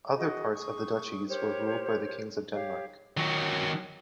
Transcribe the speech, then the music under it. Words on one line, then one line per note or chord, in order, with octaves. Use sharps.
Other parts of the duchies were ruled by the kings of Denmark.
F#4 G#4 D#5
G#4 C#6
G4 A#4 C5 C#5
G4 C#5 F5
D#3 F#3